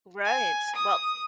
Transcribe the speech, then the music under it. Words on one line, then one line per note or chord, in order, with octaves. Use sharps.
Right, well,
G#5
D#6